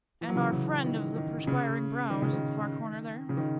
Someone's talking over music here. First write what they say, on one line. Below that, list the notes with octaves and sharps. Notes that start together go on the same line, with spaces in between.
'And our friend of the perspiring brow is at the far corner there?
E3
F#3
C#3 E3
C#3
D#3
D#3
C#3
D#3
C#3
D#3
C#3
D#3